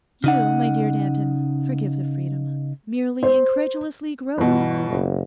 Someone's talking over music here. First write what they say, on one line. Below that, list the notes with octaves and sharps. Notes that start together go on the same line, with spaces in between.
You, my dear Danton, forgive the freedom, merely incredulously grope.
C#3 D#4 F#5
C5
G1 B2 E3
F#1